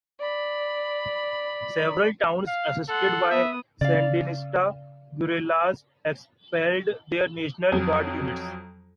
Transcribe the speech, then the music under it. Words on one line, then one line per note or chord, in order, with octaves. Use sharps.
Several towns, assisted by Sandinista guerrillas, expelled their National Guard units.
D5 B5
F5
A4 F#5 C6
B3 E5 D#6
C#3 D5 F5
F2 F#3